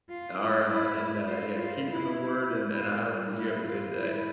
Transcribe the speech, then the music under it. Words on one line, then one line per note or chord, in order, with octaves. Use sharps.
Alright, and, uh, yeah, keeping the word, and and I hope you have a good day.
F4
E4
E4
F4
F4
E4
E4
F4
G3
E4
F4
E4